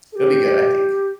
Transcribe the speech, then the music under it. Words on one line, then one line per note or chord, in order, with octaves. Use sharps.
it'll be good, I think.
A4
G4